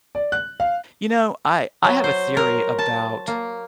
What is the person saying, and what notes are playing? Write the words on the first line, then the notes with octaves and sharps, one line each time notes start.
you know, I I have a theory about
D5
F#6
F5
F#3
C5
A#4
A5
A#3